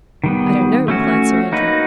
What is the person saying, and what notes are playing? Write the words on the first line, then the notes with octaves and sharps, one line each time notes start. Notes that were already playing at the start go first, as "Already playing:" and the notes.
"I don't know," replied Sir Andrew.
D#3 G3 B3
A3 C#4 F#4
A#3 D#4 F#4 B4